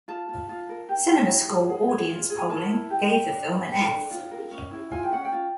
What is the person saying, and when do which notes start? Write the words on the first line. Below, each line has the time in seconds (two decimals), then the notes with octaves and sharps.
CinemaScore audience polling gave the film an "F".
0.08 F4 A5
0.29 F4
0.49 F4
0.69 A#4
0.89 G4
1.10 G4
1.30 E4 A#5
1.49 G#4
1.69 G#4
1.89 G#4
2.09 F4
2.30 G#4
2.38 G#5
2.49 A#4 A5
2.70 E4
2.90 G4
3.10 G4
3.31 D4
3.51 B4
3.70 D4 G5
3.91 D4
4.11 F4
4.31 A#4
4.51 C#4
4.71 E4
4.91 F4 G#5
5.03 G5
5.12 C#4 F#5
5.25 G5
5.32 F4